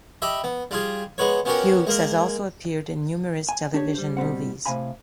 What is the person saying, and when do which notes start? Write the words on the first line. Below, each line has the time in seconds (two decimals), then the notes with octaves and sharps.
Hughes has also appeared in numerous television movies.
0.22 G4 D#5 E5 B5
0.44 B3
0.71 G3 F4 G#4
1.18 G#3 B3 B4 C#5
1.45 B3 C#4 F#4 G4 A#4
1.87 G#3 A#3 A#4
3.49 G#5
3.74 D4 G4 C#5
3.95 G3 C5
4.17 B2 G3 C4 F#5
4.66 A2 C3 D#3 F5 G#5 B5